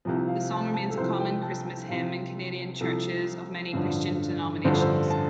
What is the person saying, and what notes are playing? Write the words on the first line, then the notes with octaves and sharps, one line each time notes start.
The song remains a common Christmas hymn in Canadian churches of many Christian denominations.
C2 C3 F3
F5
A5
A5
A4
C2 C3 F3 C5
G5
A5
G5
C2 C3 F3 F5
C2 C3 F3 A4
A1 G2 D3 F3
A1 G2 D3 F3 C5
A4
C5
A5